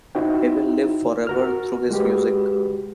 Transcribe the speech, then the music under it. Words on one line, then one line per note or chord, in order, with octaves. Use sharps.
He'll live forever through his music.
D#4 E4 F#4 C5 G5
F#4 A#4 F6
G#3 F#4 G4 B4